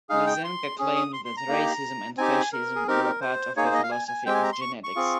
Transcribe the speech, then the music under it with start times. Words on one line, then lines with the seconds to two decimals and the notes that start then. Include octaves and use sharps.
Lysenko claimed that racism and fascism were part of the philosophy of genetics.
0.10 G#3 D#4 G#4 F5
0.27 G5
0.44 C6
0.79 C#4 G#4
0.96 D#6
1.13 C6
1.25 C6
1.37 A#5
1.48 A#3 D#4 G4
2.17 C4 D#4 G4 G#5
2.53 A#4
2.76 G#4
2.88 C4 D#4 G4 A#4
3.04 A#4
3.21 C5
3.56 A#3 D#4 G#4 C#5
3.66 C5
3.75 D#5
3.83 F5
3.91 G#5
4.08 G#5
4.26 G#3 C4 G4 G5
4.34 G#5
4.43 A#5
4.52 C6
4.61 C#6
4.84 C#6
4.96 C4 F4 G#4